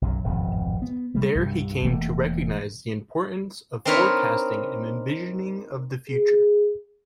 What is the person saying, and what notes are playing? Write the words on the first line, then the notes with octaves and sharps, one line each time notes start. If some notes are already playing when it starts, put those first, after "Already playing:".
There he came to recognize the importance of forecasting and envisioning of the future.
B1 F#2 F#3
D1 G#1 F2 B2
B3
G3 A3
C2 G2 C3
E1 E3 A3 A#3
C4 D4 D#4 A#4 B4 C#5
G#4